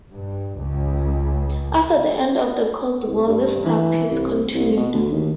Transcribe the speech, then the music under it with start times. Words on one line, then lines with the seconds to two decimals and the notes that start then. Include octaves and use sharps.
After the end of the Cold War this practice continued.
0.13 G2
0.61 C#2
3.07 C2
3.28 G2
3.65 E3
4.11 C2
4.54 C2
4.77 B2
4.94 D2
5.12 D#2